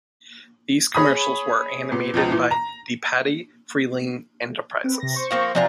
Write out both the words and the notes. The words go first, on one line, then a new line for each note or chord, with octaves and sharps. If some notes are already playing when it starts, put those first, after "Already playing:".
These commercials were animated by DePatie-Freleng Enterprises.
G#4 C#5 B5 D#6
A#2 B3
C#2 B2 F3
A#2 E3
A#5
C4 B4
C3 A#6
C5 C#6
F3 A#3 C4
C3 F3 D4 F4 G#5 A#5